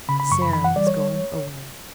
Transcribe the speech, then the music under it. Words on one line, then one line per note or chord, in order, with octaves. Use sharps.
Sara was going away.
C#3 B5
B5
F#2 C#6
B5
E3 B5
F#5
G3 D5
C#5